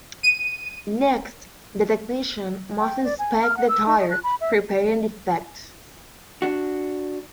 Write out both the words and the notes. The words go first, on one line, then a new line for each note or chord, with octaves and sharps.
Next, the technician must inspect the tire, repairing defects.
D#7
G5
D5
G#5
F6
F#5
E6
D#4
D#5
F#6
B5
E5
D4 F#4